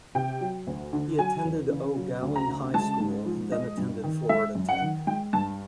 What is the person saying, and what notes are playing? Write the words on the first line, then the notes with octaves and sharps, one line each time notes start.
He attended Eau Gallie High School and then attended Florida Tech.
C3 G5
F#3
D2
D3
F#3 G#5
E2
C#3
F#3
D2
A#5
C#3
G#3 A5
G#2
F3
G#3 D#5
G2
D#3
G#3 E5
F#2
F#5
D#3
G#3 G5
G2 A5